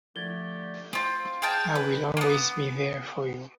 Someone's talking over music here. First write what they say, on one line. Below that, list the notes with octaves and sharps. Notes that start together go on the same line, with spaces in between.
I will always be there for you.
D3 F3 A3 G4 G#6 A6 G7
C4 F4
G#4 F5 G5 A5
B4
A#3 B3